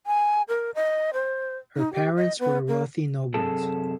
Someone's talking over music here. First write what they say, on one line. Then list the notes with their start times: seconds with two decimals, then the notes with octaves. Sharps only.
Her parents were wealthy nobles.
0.07 G#5
0.48 A#4
0.75 D#5
1.13 C5
1.77 D#4
1.93 G4
2.17 D#5
2.40 B3
2.68 A#3
3.34 F#2 C3 G#4 A4 A5